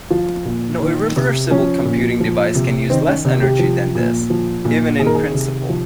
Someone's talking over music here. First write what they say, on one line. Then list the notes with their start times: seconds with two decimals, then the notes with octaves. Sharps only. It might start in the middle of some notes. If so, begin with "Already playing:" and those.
No irreversible computing device can use less energy than this, even in principle.
0.10 F3 F4
0.45 A#2
0.80 D#3
1.16 C3
1.51 F3 C#4
1.85 A#2
2.20 F3
2.55 C3
2.90 D#3 C4
3.07 C#4
3.25 C3
3.42 G4
3.59 F3
3.95 A#2
4.30 F3
4.65 A#2
4.99 D#3 G#4
5.06 A#4
5.15 G#4
5.34 C3
5.69 F3